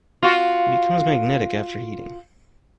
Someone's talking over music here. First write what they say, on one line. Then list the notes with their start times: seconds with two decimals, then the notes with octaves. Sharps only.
It becomes magnetic after heating.
0.23 F4 F#4